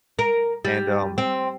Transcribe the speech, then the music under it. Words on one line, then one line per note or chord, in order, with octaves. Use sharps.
and, um
A#4
G3
C4